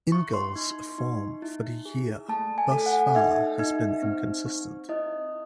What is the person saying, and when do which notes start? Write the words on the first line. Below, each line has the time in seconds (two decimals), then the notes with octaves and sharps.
Ingall's form for the year thus far has been inconsistent.
0.12 E4 C#6
0.34 C6
0.56 D#4
0.98 D#4
1.42 E4
1.85 G#4
2.28 A3 A5
2.58 G#5
2.72 A4
2.86 F#5
3.15 D#4 E5
3.59 D#4
4.02 C4
4.45 C4
4.89 E4 D#5